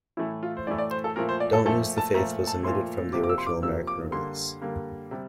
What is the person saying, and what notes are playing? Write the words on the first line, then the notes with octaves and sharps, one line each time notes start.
"Don't Lose The Faith" was omitted from the original American release.
A2 E3 A3 E4
F4
C5
A2 E3 A3 D5
D5
C5
A4
A#2 F3 A3 A#4
C5
D5
A4
A#2 F3 A3 A4
A5
A#2 F3 A3 A#5
A5
A#2 F3 A3 C6
C3 F3 A#3 D6
D6
E6
C6
D6
C3 F3 A#3 E6
D6
D3 G3 A#3 C6
D3 G3 A#3
C3 G3